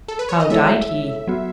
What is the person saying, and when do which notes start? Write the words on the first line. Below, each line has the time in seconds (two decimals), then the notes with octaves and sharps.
"How died he?"
0.08 A4
0.19 B4
0.29 C#5
0.40 D#5
0.50 G#3 B3 E4 A4 C#5 E5
1.27 F#3 B3 F#4